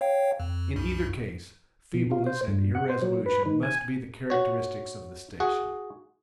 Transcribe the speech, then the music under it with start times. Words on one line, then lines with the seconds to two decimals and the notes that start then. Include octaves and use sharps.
In either case, feebleness and irresolution must be the characteristics of the station.
0.01 C#5 F5 G5
0.40 F2
0.76 C2 F#2
1.94 B2
2.11 F4
2.27 C5
2.47 G2
2.75 F#5
2.89 C5
3.02 F#3
3.26 B4
3.46 D#3
3.63 G#5
4.30 F#4 C#5
5.40 F#4 G#4 F#5